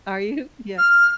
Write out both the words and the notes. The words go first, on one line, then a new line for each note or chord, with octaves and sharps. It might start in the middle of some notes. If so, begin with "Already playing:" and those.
Are you? Yeah.
F6